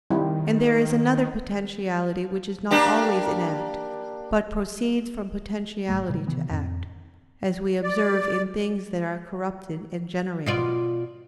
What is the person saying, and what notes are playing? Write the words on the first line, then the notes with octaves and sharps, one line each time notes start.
And there is another potentiality which is not always in act, but proceeds from potentiality to act; as we observe in things that are corrupted and generated.
D#3 G3 C4 E4
A#3 D4 G4
G#1 F2 G3 A3
A2 C#3 G3
C3 D#3 E3 B3
F2 A2 C4
D5
B2 F4 D5